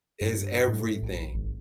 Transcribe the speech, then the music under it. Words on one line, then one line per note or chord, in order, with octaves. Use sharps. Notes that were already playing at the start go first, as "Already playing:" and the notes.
It's everything.
G2
A2
A#1
G#1